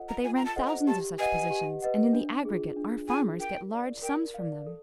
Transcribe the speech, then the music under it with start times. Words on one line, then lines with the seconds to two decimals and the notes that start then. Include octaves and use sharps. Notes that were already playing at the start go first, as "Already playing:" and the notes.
"But they rent thousands of such positions, and in the aggregate our farmers get large sums from them."
Already playing: F4 A4 C5 D#5 F#5
0.09 A#5
0.24 F4 G#5
0.36 A#5
0.45 A5
0.56 A4 C5 D#5 F#5
0.67 A#5
0.87 G4 A5
1.19 B4 D#5 F#5 G#5
1.50 G4
1.82 B4 D#5 F#5
2.13 D4
2.45 F4 G#4
2.77 D4
3.08 F4 G#4 G#5
3.40 A#4 G5
3.72 D5 F5
4.02 A#4 G5
4.34 D5 F5
4.67 A4